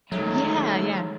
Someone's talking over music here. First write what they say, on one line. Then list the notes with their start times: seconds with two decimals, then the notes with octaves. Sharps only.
Yeah, yeah.
0.12 D#3 F#3 G#3 A3